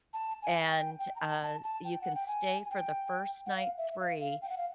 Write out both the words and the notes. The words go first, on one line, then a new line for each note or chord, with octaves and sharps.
and, uh, you can stay for the first night free,
A5
G#5
G5
G5
A#5
A5
A5
A5
G5
F#5
G5
G#5
G#5
G5
F#5
F5
E5
E5
F5
F5
G5
F#5
F5